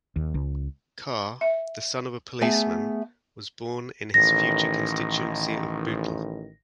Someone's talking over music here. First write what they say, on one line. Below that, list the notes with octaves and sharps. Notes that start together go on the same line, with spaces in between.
Carr, the son of a policeman, was born in his future constituency of Bootle.
D#2
C#2
E5
A3 B3 G#4 E5 G#5
A1 D#3 A#6